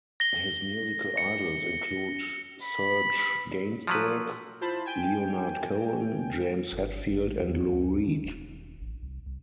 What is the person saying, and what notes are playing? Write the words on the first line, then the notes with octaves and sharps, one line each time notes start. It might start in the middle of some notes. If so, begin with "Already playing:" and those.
His musical idols include Serge Gainsbourg, Leonard Cohen, James Hetfield and Lou Reed.
A#6 G7
C#7
B5
F3 F#3 B4
E4 F4 C5 A5 B5
G5 G#5
G1
A1
E2
D2
D#3
E1
A1
C2
C2